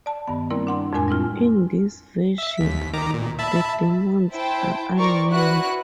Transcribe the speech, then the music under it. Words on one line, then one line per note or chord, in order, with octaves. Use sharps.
In this version, the demons are unnamed.
D5 A5
G2 D#3 B3
G3 A#3 C4 E4 A#4 D5
D4 F#5 C6
F2 A2 G#3 D4 A#4 G#5
G3 C4 E4 F4
E5
D#2 B6
D#3 A#5 D6
A#2
E5 A5 B5
E4 C5 G5 A5
A#4 C5 D5 C#6
E4 F#4 B4 F#6